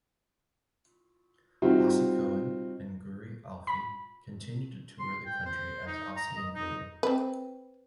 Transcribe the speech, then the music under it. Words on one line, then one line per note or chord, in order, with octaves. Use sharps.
Asi Cohen and Guri Alfi continued to tour the country as "Asi and Guri".
G3 C4 D#4 F4 F#4 E5
B5
C6
G5
C5
D#4
A#5
D#5
D#4
C4 B4